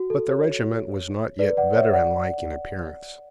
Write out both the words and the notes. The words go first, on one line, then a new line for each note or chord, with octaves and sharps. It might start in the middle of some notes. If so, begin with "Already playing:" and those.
But the regiment was not yet veteranlike in appearance.
Already playing: F#4
A4
C#5
B4 D5
D5 F#5
C#5 E5
D5 F#5